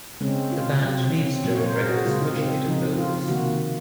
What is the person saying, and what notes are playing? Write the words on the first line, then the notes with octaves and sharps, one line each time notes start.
The band leaves Jarrett Records which later closes.
C#3 G#3 C4 C#4
F4
C3 F#3 C4
C#4
C4
C#4
A#2 F#3 A#3
C#5
C5
A#4
G#4
F#4
C#3 G#3 C4 F4
D#4
C4
C#3 F3 C4 D#4
F4
C3 D#3 A#3 F#4